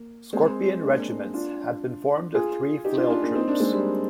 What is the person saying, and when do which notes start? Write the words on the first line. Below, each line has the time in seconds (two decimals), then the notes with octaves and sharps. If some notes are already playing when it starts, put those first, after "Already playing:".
Scorpion regiments had been formed of three flail troops.
Already playing: A#3
0.33 G#3 C4
0.83 A#3 D4
1.34 D4 F4
2.35 F4 G#4
2.85 D#4 G4
2.97 D4 F4
3.10 D4 F4
3.23 A#3 D4
3.35 C4 D#4
3.48 A#3 D4
3.60 G#3 C4
3.73 G3 A#3